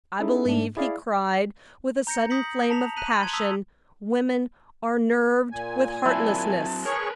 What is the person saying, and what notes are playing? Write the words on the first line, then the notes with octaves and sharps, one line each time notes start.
"I believe," he cried, with a sudden flame of passion, "women are nerved with heartlessness!"
C#4 D#4 E4 G#4 A4
G#2 A3 D4
E4 G#4 D5 F5
A#5 G6 A#6 C#7
D#6 G6 A#6 B6 C#7 F#7
A5 A#5 B6 F7
A#5 F#6 B6 D#7 F#7
C6 G#6
A5 D#6 E6 B6 F7
A#2 G#5
F#3 C4 E4 A5
G#4 A#4 B4 C#5 C#6